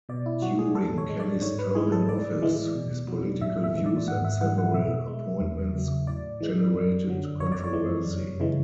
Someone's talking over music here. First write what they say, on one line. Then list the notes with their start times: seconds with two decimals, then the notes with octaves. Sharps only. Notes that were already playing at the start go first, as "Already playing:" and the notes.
During Kelly's term in office, his political views and several appointments generated controversy.
0.09 B2 D5
0.26 E4
0.42 F#3 F#4
0.59 G#4
0.75 A2 A4
0.98 C#5
1.09 G#3
1.20 D5
1.42 G#2 C#5
1.59 B4
1.75 E3 G#3 G#4
1.92 A4
2.09 A2 D5
2.42 E3 G#3
2.75 B2
3.08 F#3
3.41 A2 E5
3.64 E5
3.74 E3 G#3
3.86 D5
4.08 G#2 F#5
4.24 E5
4.41 E3 G#3 F#5
4.58 F#5
4.74 B2 E5
5.07 G#3
5.41 E2
5.74 C#3 F#3
6.07 A2 D5
6.40 E3 G#3
6.74 F#2
7.07 D3 F#3
7.40 F#2 C#5
7.52 D5
7.64 C#5
7.73 E3 G#3
8.06 F#2
8.40 C#3 E3 G#3